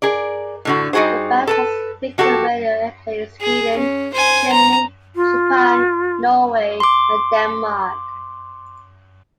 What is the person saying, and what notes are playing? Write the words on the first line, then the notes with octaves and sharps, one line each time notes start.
The band has frequent radio airplay in Sweden, Germany, Japan, Norway and Denmark.
G#4 A#4 D5
A2 D3 F#4
G3 D#4 F#4 G#4 C5
A4 B4 A5
F3 F#4 G4 A4
G#4
C#4
C5 G#5
A#5
F4
C6 D6